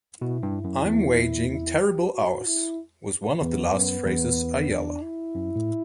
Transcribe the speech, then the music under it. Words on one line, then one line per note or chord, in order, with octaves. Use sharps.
"I'm waging terrible hours," was one of the last phrases Ayala.
B2 E4
G2
F#2
E2
E4
G4
F#4
E4
E2 B3
F#2
E2
D4
E4
F#2
A2